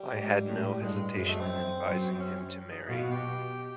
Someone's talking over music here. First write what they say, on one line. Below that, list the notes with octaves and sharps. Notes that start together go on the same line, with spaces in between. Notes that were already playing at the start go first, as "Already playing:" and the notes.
I had no hesitation in advising him to marry.
Already playing: G3
G#2
A2
G2 G#3
F#2 G#3
A3
C4
F#2
C#4
D#4
B2 F4
F#4
G4